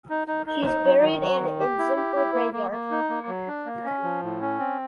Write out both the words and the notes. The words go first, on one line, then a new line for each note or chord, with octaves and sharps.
He was buried in Azimpur Graveyard.
D#4
D#4
D#4
D#4
F#3
D#3
F#3
D#3
G4
E4
G4
E4
A#3
A#3
A#3
D#4
A#3
F#3
D4
A#3
C#4
F3
A2
C#4
C4